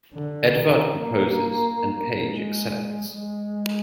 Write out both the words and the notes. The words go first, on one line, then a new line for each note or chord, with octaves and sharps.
Edvard proposes and Paige accepts.
D3
D#3
A#3
G#3
G#3